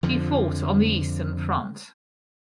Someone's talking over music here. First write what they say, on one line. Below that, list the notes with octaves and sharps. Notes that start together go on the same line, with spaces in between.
He fought on the Eastern Front.
F2 D3 F3